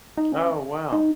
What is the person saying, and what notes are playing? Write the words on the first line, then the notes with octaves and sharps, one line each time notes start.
Oh, wow.
D#4
C#4
D#4